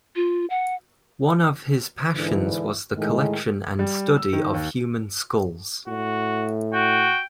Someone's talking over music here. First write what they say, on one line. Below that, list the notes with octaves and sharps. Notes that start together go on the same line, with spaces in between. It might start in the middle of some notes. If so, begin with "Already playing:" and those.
One of his passions was the collection and study of human skulls.
F4
F#5
G#2 D3 E3
A2 D#3 G#3
G3
E6
D#3
D#2
A2 F#4
F#4 G5